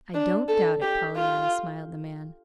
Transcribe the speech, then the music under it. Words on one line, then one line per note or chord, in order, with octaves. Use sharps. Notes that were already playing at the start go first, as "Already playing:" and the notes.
"I don't doubt it, Pollyanna," smiled the man.
D4
A4
G4
F4